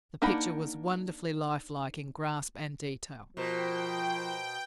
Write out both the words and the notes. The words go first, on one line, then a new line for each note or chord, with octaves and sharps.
The picture was wonderfully life-like in grasp and detail.
A#3 D4 D#4 F#5 B5
B2 F3 A#4 C5 G5